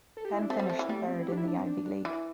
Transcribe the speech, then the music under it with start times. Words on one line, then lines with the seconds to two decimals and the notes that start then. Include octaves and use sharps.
Penn finished third in the Ivy League.
0.17 A4
0.25 G4
0.33 E4
0.42 D4
0.50 A3 C4
0.59 G3
0.70 A3
0.79 E3
0.89 G3 A3
1.08 C4
1.22 E4
1.28 G4
1.32 D4
1.37 E4
1.47 D4
1.57 C4
1.66 D4
1.85 D4
2.05 E3